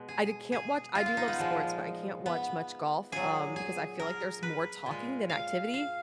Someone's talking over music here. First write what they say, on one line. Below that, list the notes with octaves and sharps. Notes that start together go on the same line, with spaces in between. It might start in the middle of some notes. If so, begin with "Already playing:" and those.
I di can't watch I do love sports, but I can't watch much golf, um, because I feel like there's more talking than activity,
Already playing: B2 G#3
G#4
G#4
F4
F4
D#4
B3
A#2 F3 G#3
B3
A#2 F#3 G#4
G#4
A#4
B4
A#2 G#3
F5
F5